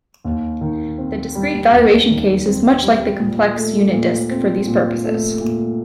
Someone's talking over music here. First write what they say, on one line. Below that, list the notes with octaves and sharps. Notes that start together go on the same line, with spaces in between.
The discrete valuation case is much like the complex unit disk, for these purposes.
D#2
D#3
C4
G3
D#2
D#3
C4
G3
A#2
A3
A#2
C4
A#2
A3
A#2